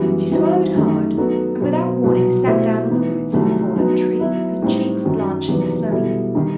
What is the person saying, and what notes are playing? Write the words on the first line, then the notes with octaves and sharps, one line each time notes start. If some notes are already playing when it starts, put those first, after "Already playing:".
She swallowed hard, and without warning sat down on the roots of a fallen tree, her cheeks blanching slowly.
Already playing: F#2 E3 G3 B3 F#4
E3 G3 C4 D#4 F#4
F#2 D#3 A3 D#4 G4
F#3 B3 D#4 F#4 A4
B2 F#3 C4
C2 B2 F#3 B3
B2 A3 E4 G4 C5
E3 B3 D#4
C2 C3 D#3 F#3 A3
F#3 B3 D#4 F#4
F#3 B3 E4 B4
A2 G3 C4 D#4
F#2 D#3 F#3
E2 C3 D#3 F#3 B3
B2 G3 B3 E4 A4
D#3 G3 D#4